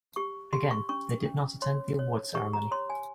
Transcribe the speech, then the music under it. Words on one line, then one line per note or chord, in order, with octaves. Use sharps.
Again, they did not attend the award ceremony.
G4 C#6
G4 C6
C#6
C#4 C#6
C#4
C#5 C6
C#5
G4 C#6
A#5
C#5 C6
G#5